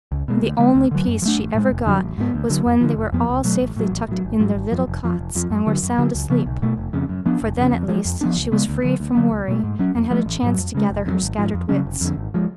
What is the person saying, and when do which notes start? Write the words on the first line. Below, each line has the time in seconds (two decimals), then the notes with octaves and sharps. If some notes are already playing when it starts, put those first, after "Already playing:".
The only peace she ever got was when they were all safely tucked in their little cots and were sound asleep; for then, at least, she was free from worry and had a chance to gather her scattered wits.
0.12 C#2
0.28 B2 G#3
0.43 D2
0.59 D3 G#3 B3
0.75 D2
0.91 D3 F#3
1.07 F#2
1.22 F3
1.26 A3 D4
1.39 A1
1.55 A2 G#3
1.71 F1
1.86 F2 D3 F#3
2.02 A1
2.18 G#2 F3 B3
2.34 D2
2.50 D3 F#3
2.66 F2
2.81 D3 F3
2.97 F1
3.12 F2 F3 B3
3.30 C#2
3.44 B2 F#3 A3
3.61 A1
3.76 A2 F#3
3.92 A1
4.08 A2 F#3
4.25 G#1
4.40 G#2 F#3
4.55 G#1
4.72 F#2 F3
4.88 F1
5.04 F2 F3
5.19 F1
5.35 F2 F3
5.50 F#2
5.67 D3 F#3
5.83 F#2
5.98 D3 F#3
6.14 C#2
6.30 C#3 F3 B3
6.46 B1
6.62 B2 A3
6.77 F1
6.93 F2 C#3
7.09 F#2
7.26 F3 B3 D4
7.42 F1
7.57 F2 C#3
7.73 F2
7.88 F3 G#3
8.05 F2
8.21 F3 B3 D4
8.36 C#2
8.52 C#3 G#3 B3
8.68 D2
8.84 D3 F#3
9.00 D2
9.15 D3 F#3 B3
9.31 C#2
9.48 B2 A3
9.64 G#2
9.79 F#3 C#4
9.95 F2
10.11 F3 A3
10.26 A1
10.43 G#2 F#3
10.58 F2
10.75 C#3 G#3
10.90 F1
11.06 F2 C#3 F#3
11.22 G#1
11.38 G#2 F3
11.54 F2
11.69 C#3 F#3 C#4
11.85 F1
12.01 F2 D3
12.17 G#1
12.34 F3 G#3